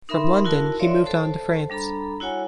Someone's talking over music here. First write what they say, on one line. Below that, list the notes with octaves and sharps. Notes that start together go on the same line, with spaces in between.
From London he moved on to France.
D#4 A#4 E5 B5 C6
E4 F#4 A#4 A5
C#5 D5 E5 F5 C6
A4 C5 A5
G3 D4 A4 A#5 B5
E4 F#4 C#5 F#5 G#5